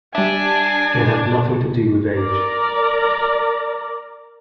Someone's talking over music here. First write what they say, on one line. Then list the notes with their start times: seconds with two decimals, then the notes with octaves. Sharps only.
It had nothing to do with age.
0.15 G3 D4 E5 G#5
2.15 A#4 D5 A#5